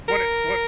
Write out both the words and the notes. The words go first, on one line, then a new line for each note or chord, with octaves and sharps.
what it what
A#4